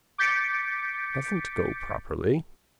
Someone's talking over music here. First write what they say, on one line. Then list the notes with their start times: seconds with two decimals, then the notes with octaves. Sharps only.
Doesn't go properly.
0.18 D6 G6 A6 B6 C#7 D7